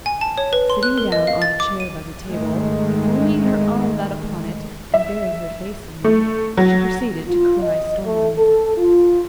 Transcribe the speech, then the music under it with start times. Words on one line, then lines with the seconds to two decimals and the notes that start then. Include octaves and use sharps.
Sitting down on a chair by the table, flinging her arms out upon it, and burying her face in them, she proceeded to cry stormily.
0.06 G#5
0.21 A5
0.38 C#5
0.53 B4
0.70 C6
0.83 F#6
0.98 A#4
1.12 D#5
1.27 F5
1.42 A6
1.60 D6
1.80 D#7
2.27 G#2 D#3 G#3 A3
4.94 E5
6.04 A3
6.57 F#3
7.27 F4
7.63 D#5
8.04 A3
8.38 A4
8.78 F4